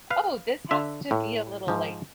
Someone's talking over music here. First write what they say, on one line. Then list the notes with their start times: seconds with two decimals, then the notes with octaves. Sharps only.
"Oh, this has to be a little, like"
0.10 B4 F5
0.71 D3 E5
1.11 A2
1.68 G#2 F3